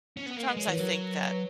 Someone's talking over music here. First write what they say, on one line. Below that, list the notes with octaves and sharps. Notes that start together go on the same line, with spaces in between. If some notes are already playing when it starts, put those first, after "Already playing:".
Sometimes, I think that
C#4
B3
A#3 A#4
G#3 B4
G#3 C#5
E3 B4
F#3 A#4
C#5
B4